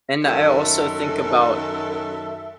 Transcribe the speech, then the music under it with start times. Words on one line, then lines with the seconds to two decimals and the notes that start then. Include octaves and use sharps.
and I also think about
0.24 F#2 D#3 A4 E5